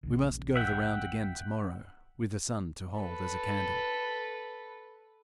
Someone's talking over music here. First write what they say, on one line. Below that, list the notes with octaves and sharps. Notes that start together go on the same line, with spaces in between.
We must go the round again to-morrow--with the sun to hold as a candle.'
A#1 E2 C#3
E5 F#5 G5
A4 B4